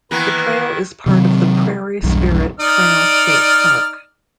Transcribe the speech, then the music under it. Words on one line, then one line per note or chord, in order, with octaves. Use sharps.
The trail is part of the Prairie Spirit Trail State Park.
D#3 E3 A#3 B3 E4 F#6
C3 D#3 F#3 C4
E1 B1 E2 G2
D#4 D5 F6